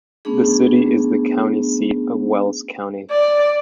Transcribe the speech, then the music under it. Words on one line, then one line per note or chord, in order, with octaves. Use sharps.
The city is the county seat of Wells County.
A3 B3 C#4 D4 G#4
D5